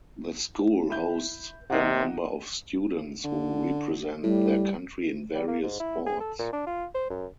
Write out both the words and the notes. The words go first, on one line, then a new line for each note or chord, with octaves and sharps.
The school hosts a number of students who represent their country in various sports.
E4 G6
C3 D#4 G4 F#5
D3
A2 G3
G3
A#3
G#2
E4
G#4
A4
A#2
D4
F4
C5
F#2